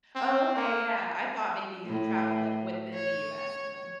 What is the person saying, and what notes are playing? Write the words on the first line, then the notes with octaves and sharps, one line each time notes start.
Oh, okay, yeah. I thought maybe you traveled, like, within the US and then
C4
A#3
A2
C#5